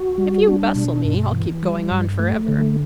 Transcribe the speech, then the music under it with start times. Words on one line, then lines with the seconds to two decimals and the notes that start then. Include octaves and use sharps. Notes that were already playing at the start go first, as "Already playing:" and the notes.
If you bustle me, I'll keep going on for ever.
Already playing: F#4
0.18 G3
0.48 D4
0.75 B2
1.05 G2
1.33 E3
1.63 G3
1.91 G2
2.19 A3
2.48 D3